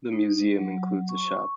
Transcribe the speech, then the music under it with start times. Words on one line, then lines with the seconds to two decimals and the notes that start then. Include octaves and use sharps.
The museum includes a shop.
0.13 D#4
0.58 F#3
1.09 C#6